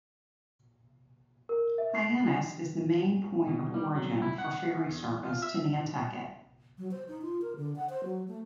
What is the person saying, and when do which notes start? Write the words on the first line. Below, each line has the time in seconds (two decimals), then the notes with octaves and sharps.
Hyannis is the main point of origin for ferry service to Nantucket.
1.49 A#4
1.78 E5
1.95 C7
3.47 B2
3.74 G3
3.95 F#3
4.22 E4
4.38 F#5
4.85 E2
5.25 F4
5.42 E5
6.78 F#3
6.91 C5
7.08 D#4
7.22 F4
7.42 A#4
7.56 D3
7.76 F#5
7.89 C5
8.04 F#3
8.28 A3